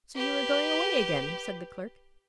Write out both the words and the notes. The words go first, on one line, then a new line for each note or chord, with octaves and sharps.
"So you are going away again!" said the clerk.
G4 B4